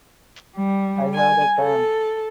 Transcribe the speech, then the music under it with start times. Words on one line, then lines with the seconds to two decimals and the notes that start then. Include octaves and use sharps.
I have the time.
0.55 G3
1.14 G#5
1.59 A4